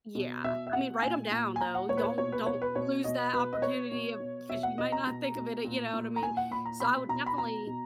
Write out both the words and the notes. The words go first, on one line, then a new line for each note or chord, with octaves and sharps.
Yeah. I mean, write 'em down, though, don't don't lose that opportunity of 'cause you might not think of it, uh, you know what I mean? So, I would definitely
B2
B2 E5
E5
B2 F#5
A#2 G#5
A#2
G#5
A#2 A#5
F#5
A#2 C#5
B4
C#5
B2 C#5
B4
B2 C#5
B4
B2 C#5
B2 D#5
B2 B4
D#5
B2 C#5
B2
B2
B2 E5
F#5
B2 D#5
A#5
B2
B2
A#2
A#2
A#5
A#2 G#5
F#5
A#2 B5
A#5
B2 B5
B2 A#5
B5
B2 A#5
B2